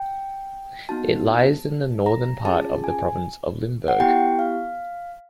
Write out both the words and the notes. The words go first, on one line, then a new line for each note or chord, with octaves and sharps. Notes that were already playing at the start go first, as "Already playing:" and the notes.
It lies in the northern part of the province of Limburg.
Already playing: G5
B3 D#4 F#4 A5
A#5
C#4 F4 G#4 A5
G#5
F#5
B3 E4 G4 G5
F5